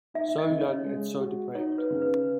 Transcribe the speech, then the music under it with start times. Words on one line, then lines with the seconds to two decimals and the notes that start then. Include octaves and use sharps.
So young and so depraved!
0.14 D#4 E5
0.38 D#5
0.50 C#3
0.61 C#5
0.85 G#3
1.20 F#4
1.55 D#4 C#5
1.78 B4
1.90 C#3
2.02 B4